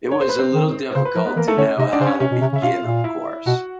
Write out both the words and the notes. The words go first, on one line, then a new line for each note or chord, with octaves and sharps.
It was a little difficult to know how to begin, of course.
C#5
C5
B4
C4 C5
D#3
C#3 C5
B4
F3 A#4
B3 B4
E3 A#3 A#4
A3 A4
D3 C#4 C#5
C3 D#4 D#5
D4 D5
C#3 C5
C#4 C#5
C3 C#4 C#5
B2
C3
C#3
E5
B2 F4 F5
A#2
E4 E5
B2 F#4 F#5